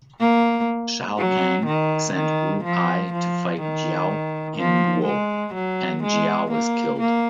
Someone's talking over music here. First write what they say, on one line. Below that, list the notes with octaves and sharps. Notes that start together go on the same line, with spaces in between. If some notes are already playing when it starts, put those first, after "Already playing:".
Shao Kang sent Ru Ai to fight Jiao in Guo, and Jiao was killed.
A#3
F#3
D#3
D#3
F3
F3
D#3
F3
G#3
F#3
G#3
A#3
A#3